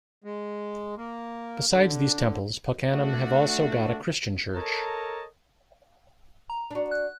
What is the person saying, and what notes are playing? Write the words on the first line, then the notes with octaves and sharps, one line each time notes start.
Besides these temples Punkunnam have also got a Christian church.
G#3
A#3
D3
A3 D4 F#4
A4 A#4 C#5 D#5 A5 A#5
A#5
D4 F#4
F#6